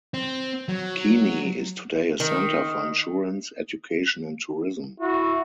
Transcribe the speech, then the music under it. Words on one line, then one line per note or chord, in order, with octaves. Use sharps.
Keene is today a center for insurance, education and tourism.
C4
F#3
D#3
E4 F#4